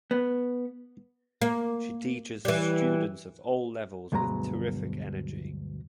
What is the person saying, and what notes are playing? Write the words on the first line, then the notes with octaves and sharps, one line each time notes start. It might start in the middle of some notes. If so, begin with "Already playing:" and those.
She teaches students of all levels with terrific energy.
B3
A#3
E3 G3
D2 G2 B2 F#3 G#3 A#5